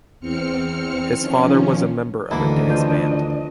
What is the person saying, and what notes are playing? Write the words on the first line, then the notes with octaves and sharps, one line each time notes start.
His father was a member of a dance band.
E2 C4 F6 C#7
D#3 F3 C#4
D2 D#3 E3 A#3 D4 E4 A4 D#5
F3 C5